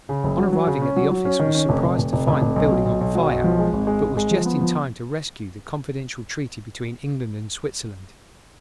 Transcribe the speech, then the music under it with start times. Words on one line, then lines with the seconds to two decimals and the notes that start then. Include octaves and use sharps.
On arriving at the office was surprised to find the building on fire, but was just in time to rescue the confidential treaty between England and Switzerland.
0.09 C#3
0.24 F#1
0.38 F#3
0.53 F#3
0.67 C#3
0.82 C#4
0.96 F#3
1.11 F#3
1.25 C#4
1.40 D#3
1.54 C#4
1.69 F1
1.83 F1
1.98 F1
2.13 F1
2.28 F1
2.42 F1
2.56 B1
2.71 F#3
2.85 B1
3.01 B1
3.15 F#3
3.30 B1
3.44 F3
3.59 G#3
3.73 G#1
3.87 G#3
4.02 G#1
4.17 G#3
4.31 F3
4.46 B3
4.61 F3